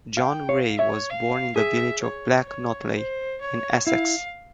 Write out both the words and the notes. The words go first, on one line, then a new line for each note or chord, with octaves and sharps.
John Ray was born in the village of Black Notley in Essex.
F5 G5
C#5 F5
C#5 E5
F5
G#4 E5
C#5
C#5
C5
C#5
E4 F5